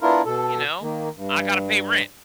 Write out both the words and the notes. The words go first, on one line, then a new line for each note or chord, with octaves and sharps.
you know, "I gotta pay rent,"
B3 D4 E4 F4 A#4
B2 A4
D#3 A#3
G2